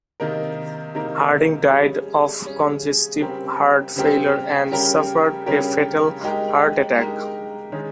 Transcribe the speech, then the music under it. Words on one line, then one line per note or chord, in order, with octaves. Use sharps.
Harding died of congestive heart failure and suffered a fatal heart attack.
C3 D#3 A#3 D#4 A#4
C3 D#3 A#3 D#4 A#4
G3 C#4 G#4
G3 C#4 G#4
C#3 G3 C4 G4 A#4
C#3 G3 C4 G4 A#4
C#3 G3 C#4 G4 A#4
C#3 G3 C#4 G4 A#4
G#3 D#4 G4 A#4
G#3 D#4 G4 A#4
D#3 G#3 C#4 G#4